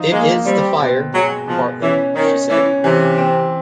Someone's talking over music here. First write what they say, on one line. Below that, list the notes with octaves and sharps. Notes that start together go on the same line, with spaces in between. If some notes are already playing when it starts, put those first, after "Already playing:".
It is the fire, partly, she said.
Already playing: F3 D#4
G#3 A#3
G3 C4
B2
F#3 G#3
B2 F3
E3 C#4
D#3 C#4
E3 C#4
C3 E3
C4